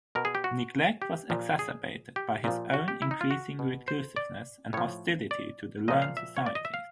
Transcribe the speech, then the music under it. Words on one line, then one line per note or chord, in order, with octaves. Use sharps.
Neglect was exacerbated by his own increasing reclusiveness and hostility to the learned societies.
B2 A#4
G#4
G4
F#4
G4
A#2 F3
G#4
G4
A#2 F3
F#4
G4
E4
D#4
F4
F#4
B2
C5
D5
A2 F3 C#5
D5
A#2 F3 D#5
F5
E5
C#5
D5
D#5
E5
F5